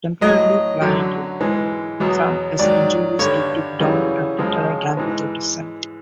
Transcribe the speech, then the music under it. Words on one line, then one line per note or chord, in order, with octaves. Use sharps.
Temporarily blinded from his injuries, he took down an entire gang without his sight.
A2 F#3 D#5
F#2 D3 F#3
G#2 E3 G#3
E2 B2 F#3
G#2 D#3 F#3 D5
G2 D3 G3 C#5
F#2 C#3 E3 G3
F#2 C#3 F3 G#3
G#2 E3 G#3